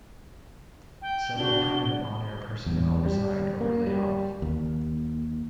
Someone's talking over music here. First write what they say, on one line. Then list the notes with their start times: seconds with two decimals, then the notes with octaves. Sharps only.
Several prominent on-air personnel resigned or were laid-off.
1.02 G5
1.37 D4 F#4 G7
2.66 E2
3.06 G3
3.61 A#3
3.87 G3
4.42 D#2